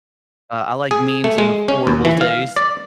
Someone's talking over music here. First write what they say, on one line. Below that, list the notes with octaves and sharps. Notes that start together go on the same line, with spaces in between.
Uh, I like memes in horrible taste.
G#4
A3
G#3
C#4
D#2
E3
F5
D5